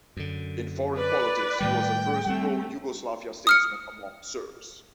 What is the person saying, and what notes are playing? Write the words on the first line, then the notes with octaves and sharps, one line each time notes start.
In foreign politics, he was the first pro Yugoslavia statesman among Serbs.
F#2 D3
B4 D5
A2 D#3 G3 G5
G3 A3 C4
D#6 F6 C#7